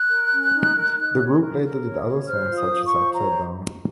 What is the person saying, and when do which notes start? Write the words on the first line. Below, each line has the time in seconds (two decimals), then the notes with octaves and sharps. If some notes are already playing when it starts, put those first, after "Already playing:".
The group later did other songs, such as "Upside Down".
Already playing: F#6
0.10 A#4
0.32 C#4
0.53 D#4
0.75 A#4
0.97 D#4
1.19 C#5
1.40 A#4
1.62 A#4
1.84 C#5
2.06 C#5
2.27 C5 F6
2.49 F4
2.56 D#6
2.70 F4
2.85 C#6
2.92 C5
3.14 C#5 A#5